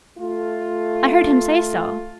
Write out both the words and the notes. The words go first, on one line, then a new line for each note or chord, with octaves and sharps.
I heard him say so.'
A3 F4